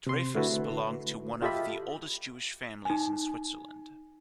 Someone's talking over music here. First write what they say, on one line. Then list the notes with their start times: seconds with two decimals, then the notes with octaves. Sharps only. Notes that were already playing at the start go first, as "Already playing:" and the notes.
Dreifuss belongs to one of the oldest Jewish families in Switzerland.
0.07 C3 C6
0.35 D3 A3 E4 F#4 A4 B4
1.42 F4 G4 A4 D#5 E5 B5
2.85 D#4 G#5